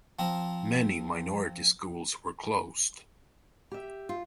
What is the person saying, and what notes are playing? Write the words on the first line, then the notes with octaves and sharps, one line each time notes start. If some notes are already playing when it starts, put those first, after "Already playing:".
Many minority schools were closed.
F3 C4 A#5
G4 E5
F4